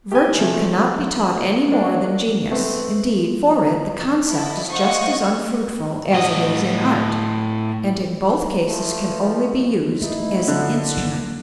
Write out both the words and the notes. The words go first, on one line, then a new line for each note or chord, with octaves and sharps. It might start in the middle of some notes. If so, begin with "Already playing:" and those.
Virtue cannot be taught any more than genius; indeed, for it the concept is just as unfruitful as it is in art, and in both cases can only be used as an instrument.
G4 G#5
C3 F3 A3
A#3 D4
A3 B3 C4
E4 A4 D5 D#5
C5 D#5 F5 F#5 C#6
A2 D#5
E3 F3 A3
B1 A3 D#4 E4
D3
F#3 A#3 D4